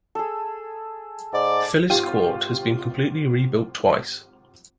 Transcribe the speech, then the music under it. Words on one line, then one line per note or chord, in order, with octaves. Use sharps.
Phyllis Court has been completely rebuilt twice.
G#4 A4
G#2 D5
G#1 F4 G4 D#7